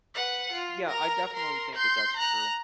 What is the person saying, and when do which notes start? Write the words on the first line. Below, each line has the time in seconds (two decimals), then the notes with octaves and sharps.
Yeah, I definitely think that that's true.
0.14 B4 F#5
0.52 F4
0.87 A#4 A#5
1.33 A#4 C6
1.75 C6 G6
2.16 A#5 F#6